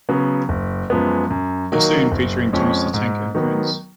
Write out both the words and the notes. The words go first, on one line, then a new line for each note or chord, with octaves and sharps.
A scene featuring Thomas the Tank and friends.
C#3 F#3 B3
F#1
F#2 F3 G#3 B3
F#2
D#3 F#3 A#3 D#4
F#1
F2 F3 G#3 C#4
G#2
D#3 F#3 B3